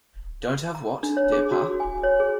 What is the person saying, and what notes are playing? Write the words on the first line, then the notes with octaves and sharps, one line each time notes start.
Don't have what, dear Pa?
A#5
D4
C#5
G#4
F#4
G#5
C#5
G#4